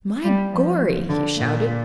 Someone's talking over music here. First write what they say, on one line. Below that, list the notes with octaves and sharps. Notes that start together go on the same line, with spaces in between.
"My gorry!" he shouted.
G3
F3
D3
A#2